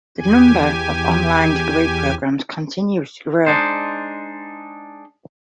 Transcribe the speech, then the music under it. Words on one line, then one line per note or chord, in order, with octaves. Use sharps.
The number of online degree programs continues to grow.
E2 G4 G#5
G#3 D4 D#4 C5